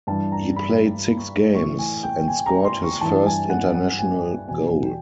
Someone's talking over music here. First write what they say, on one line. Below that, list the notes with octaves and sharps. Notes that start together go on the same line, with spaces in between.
He played six games, and scored his first international goal.
G2 E3 A5
A#5
B5
C#6
A2 E3 C#6
G#5
G5
G#5
A#5
C6
C#6
G2 E3 A5
G#5
F#5
F#5
G#5
G#5
E2 B2 G#5
G5